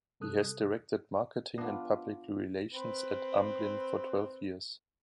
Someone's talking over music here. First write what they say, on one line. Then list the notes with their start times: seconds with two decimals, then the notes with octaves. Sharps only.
He has directed marketing and public relations at Amblin for twelve years.
0.20 C3 G3 A4 D#6 F#6
1.58 B3 D4 F4
2.73 C4 B4